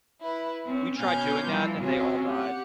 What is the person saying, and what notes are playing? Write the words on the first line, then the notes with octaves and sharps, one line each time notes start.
We tried doing that and they all died.
E4 B4
C4 C#4
B2 B3 C#4 F5 G#5 G6
E3 F3 G3 D4 F4
C3 C4 C#4 F4 F#4 G#4
G4 F#5